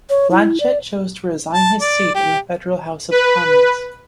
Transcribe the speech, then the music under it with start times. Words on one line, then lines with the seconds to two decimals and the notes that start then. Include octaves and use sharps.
Blanchet chose to resign his seat in the federal House of Commons.
0.09 C#5
0.31 E4
0.60 D5
1.53 A5
1.81 D5
2.15 G4
3.11 B4